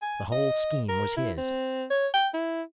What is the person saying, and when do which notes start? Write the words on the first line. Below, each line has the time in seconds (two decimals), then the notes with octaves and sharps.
The whole scheme was his.
0.02 G#5
0.32 D#5
0.89 A#4
1.17 E4
1.38 C4
1.90 C#5
2.14 G5
2.34 E4